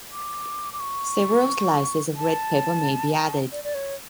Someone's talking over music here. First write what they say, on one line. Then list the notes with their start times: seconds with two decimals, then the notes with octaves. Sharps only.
Several slices of red pepper may be added.
0.12 D6
0.73 D6
0.80 C#6
2.16 A5
3.52 D5
3.64 D5
3.74 C#5